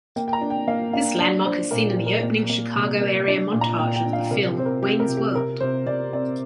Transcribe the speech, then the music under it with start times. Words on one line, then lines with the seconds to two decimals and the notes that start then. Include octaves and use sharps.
This landmark is seen in the opening Chicago-area montage of the film "Wayne's World".
0.16 A#3 G5
0.28 G5
0.33 A#5
0.41 D4
0.50 G5
0.68 A#3 F5
0.93 D4 F5
1.20 D4 D5
1.45 D4 C5
1.71 A#2 A#4
1.89 G4
1.97 A#2
2.06 A#4
2.23 A#3
2.50 A#3
2.75 C3
3.01 A#3
3.28 D4 D5
3.53 A#2
3.61 A#5
3.79 A#2 G5
3.96 G5
4.06 D4
4.13 F5
4.31 C3 A#4
4.49 G4
4.57 C4 C5
4.66 A#4
4.83 C4 G4
5.00 A#4
5.08 C3
5.17 G4
5.35 C3 A#4
5.60 C3 C5
5.86 C3 D5
6.13 C4 D5